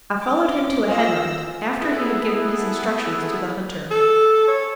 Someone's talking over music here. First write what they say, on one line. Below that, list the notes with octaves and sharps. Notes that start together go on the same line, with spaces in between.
I followed him to a headland, after he had given his instructions to the hunter.
D6
F4 C5 D#5 F5 G#5 E6 A#6
B3 E4 G#4 A4
A4
C#5